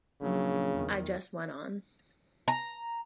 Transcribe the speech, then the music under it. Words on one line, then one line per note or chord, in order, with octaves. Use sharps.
I just went on.
A#1 C#3 F#3
E2 D#3
A#5